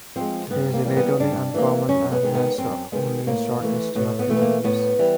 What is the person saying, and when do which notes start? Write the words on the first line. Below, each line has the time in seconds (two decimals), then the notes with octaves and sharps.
It is relatively uncommon and has only a short history of human use.
0.16 F3 G#3 C4
0.50 G2 B3
0.74 A#3
0.85 E3 G3 A#3
0.97 B3
1.20 G2 D4
1.54 E3 G3 A#3
1.88 F#2 C#4
2.12 B3
2.23 D#3 G#3
2.35 B3
2.58 F#2 C4
2.92 D#3 G#3 B3
3.27 A2 A#3
3.61 E3 A3
3.95 A2 B3
4.19 B3
4.30 E3 A3
4.37 B3
4.42 A#3
4.64 A2 B3
4.99 E3 G3